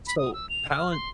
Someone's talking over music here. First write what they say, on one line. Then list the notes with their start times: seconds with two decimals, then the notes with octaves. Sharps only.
So, Palant
0.07 B5
0.18 D#6
0.33 E6
0.49 F7
0.69 F6
0.91 C6